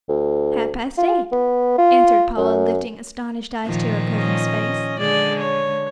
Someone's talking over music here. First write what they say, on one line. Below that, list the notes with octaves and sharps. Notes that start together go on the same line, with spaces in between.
"Half-past eight," answered Paula, lifting astonished eyes to her cousin's face.
D2
F4
B3
F4
F#2
A#2 D#3 F3
C#4 D#5
D3 G#3 G#4 D5
C#5